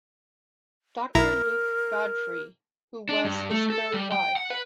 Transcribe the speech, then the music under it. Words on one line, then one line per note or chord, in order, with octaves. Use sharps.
Doctor Luke Godfrey, who was his third wife.
B1 E4 A#4 A#5
D4
G2
A3
A4
G3
G5
F#5
B4